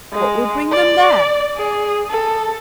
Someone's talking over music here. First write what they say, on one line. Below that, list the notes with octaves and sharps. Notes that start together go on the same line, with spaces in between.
"What would bring them there?"
G#3
D5
G#4
A4